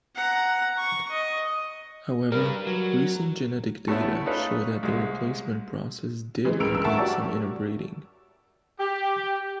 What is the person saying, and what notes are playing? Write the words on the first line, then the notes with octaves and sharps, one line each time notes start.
However, recent genetic data show that the replacement process did include some interbreeding.
F#5 A#5
C#6
D#5
G3 A#4 B4
F#3
A3 B3 C#4 E4
C#4 D#4 F4 A4 B4
C2 G#3
C#3 E3 G#3
C#2 G#3 A#4 E6 D7 F7
G2 E6
A#4 E5 F#5 A5 C#6
F#4 G4 C#5 D5
G4